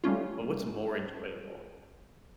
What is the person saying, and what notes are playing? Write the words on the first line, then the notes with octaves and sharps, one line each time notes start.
but what's more enjoyable?
G3 A3 C#4 F4